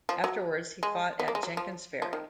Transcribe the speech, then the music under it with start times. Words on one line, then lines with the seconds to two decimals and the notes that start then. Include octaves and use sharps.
Afterwards he fought at Jenkin's Ferry.
0.09 F3
0.24 F#3
0.83 G#3
1.19 B3
1.28 A#3
1.35 G#3
1.43 F#3
1.57 F3
2.02 F3
2.13 D#3